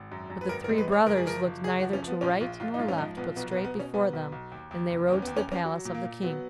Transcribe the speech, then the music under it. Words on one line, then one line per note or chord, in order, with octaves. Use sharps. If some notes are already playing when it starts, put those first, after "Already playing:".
But the three brothers looked neither to right nor left but straight before them, and they rode to the palace of the King.
Already playing: G#1
F#2
F#2
B4
G#1 A#4
A#4
G#3
B4
G#3 C#5
F#1 A#4
G#4
F3 A#4
F#1
F#1 G#4
F#4
F3
C#4
F3 B3
A#1 C#4
A#1 F4
A#1 F4
D#4
G#2 F4
C#4
F3 D#4
A#1 B3
B1 B3
B3
B1
B3
B2 C#4
B1 B3
B1
B1
D#2
D#2
F1
D#2 C#4
B3
D#2
C#4
D#2 C#4
F#3
A#2
A#3
A#2
F#3 B3